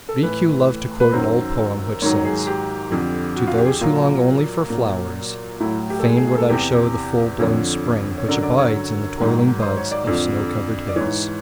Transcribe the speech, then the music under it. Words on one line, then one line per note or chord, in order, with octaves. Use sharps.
Rikiu loved to quote an old poem which says: "To those who long only for flowers, fain would I show the full-blown spring which abides in the toiling buds of snow-covered hills."
A4
A2 E3 B4
B4
F#2 D#3 F#3 C5
G#2 D#3 F#3 C#5
G#4
G4
F2 D3 F3
F#4
F4
F#4
G4
G#4
G4
A#2 F#3 F4
A#2 F#3
A2 F#3 E4
G4
A4
G#4
G#4
G#4
A4
E2 C3 E3 G4
F2 D3 F3 C#5
C#5
F#2 D3 F#3 D5
D5
C#5
G#2 D#3 F#3
C5
C#5
D5
F2 D3 F3 D5
D5
G#2 E3 C#5